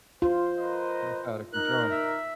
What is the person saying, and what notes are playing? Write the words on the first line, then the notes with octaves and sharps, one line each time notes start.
That's out of control.
F4 C5
A#4 B4 D#5
D#4 A#4 F#6
E5